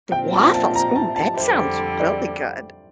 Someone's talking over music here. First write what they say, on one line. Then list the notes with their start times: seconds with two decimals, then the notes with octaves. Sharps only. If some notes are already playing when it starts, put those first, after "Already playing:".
The waffles. Oh, that sounds really good.
0.12 A#2 F3 C4 G5
0.33 A5
0.54 A5
0.75 A#5
0.96 A5
1.16 A5
1.37 F2 D3 G3 C5
2.00 D5